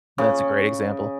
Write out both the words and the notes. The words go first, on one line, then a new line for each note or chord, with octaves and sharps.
That's a great example.
C#3